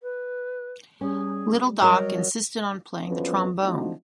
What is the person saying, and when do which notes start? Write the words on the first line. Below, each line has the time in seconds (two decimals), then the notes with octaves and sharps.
Little Doc insisted on playing the trombone.
0.02 B4
1.01 G3 C#4 G#4
1.82 F#3 A#4 D#5
3.07 F2 F3 F#3 B3 C#4 B4
3.61 F3 A3 C4 D4 D#4 F#4